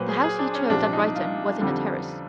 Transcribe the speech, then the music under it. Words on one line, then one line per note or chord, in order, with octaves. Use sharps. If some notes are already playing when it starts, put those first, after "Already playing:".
The house he chose at Brighton was in a terrace.
Already playing: A#2 F#3 A#3 B4 C5
G#4
G#4
D4
C#4
C2 A#2 F3 D4
D#4
F4
F2 D3 G3